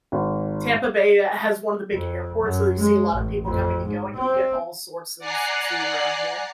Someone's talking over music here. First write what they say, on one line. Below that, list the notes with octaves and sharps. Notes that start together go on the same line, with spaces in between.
Tampa Bay has one of the big airports. So you see a lot of people coming and going and you get all sorts of food around here.
G#1
F2
F#2
G#3
A1
F2
G#2
C4
D5 F#5 G#5 A#5 F#6 C7